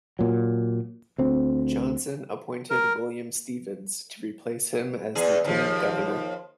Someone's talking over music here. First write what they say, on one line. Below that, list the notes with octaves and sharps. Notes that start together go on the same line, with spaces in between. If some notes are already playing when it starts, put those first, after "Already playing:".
Johnson appointed William Stephens to replace him as lieutenant governor.
A#2 F#3
D2 C4
A#4
E2 G#4
D#2 F3